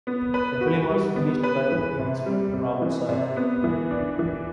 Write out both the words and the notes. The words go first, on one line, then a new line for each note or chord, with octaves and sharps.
The film was finished by Wiene's friend Robert Siodmak.
B3
B4
F#4
G3
B3
B4
E3
C3
G3
C3
E3
C3
B3
E3
D4
E3